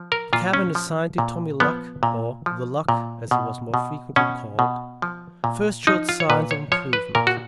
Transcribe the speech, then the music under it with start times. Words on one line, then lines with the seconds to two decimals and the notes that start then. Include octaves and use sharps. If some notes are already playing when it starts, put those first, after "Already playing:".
The cabin assigned to "Tommy Luck"--or "The Luck," as he was more frequently called--first showed signs of improvement.
Already playing: F3
0.12 A#4
0.33 A#2 F4
0.53 C#4
0.75 F3
1.18 A#2
1.60 F3 B3
2.03 A#2
2.46 F3
2.89 A#2
3.31 B2
3.74 B2
4.16 B2 C#4
4.59 B2
5.02 F3
5.44 A#2
5.87 F3 D#4
6.09 F4
6.20 C#5
6.30 A#2 B4
6.51 C#5
6.72 F3 C#5
6.93 B4
7.15 A#2 A#4
7.27 F#4